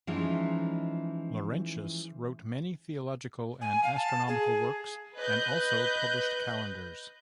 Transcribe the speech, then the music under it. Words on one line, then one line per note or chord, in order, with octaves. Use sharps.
Laurentius wrote many theological and astronomical works and also published calendars.
E3 F3 G#3 C#4 D#4
G#5
F5
A5
G#4
B4 D#5 F#6 G6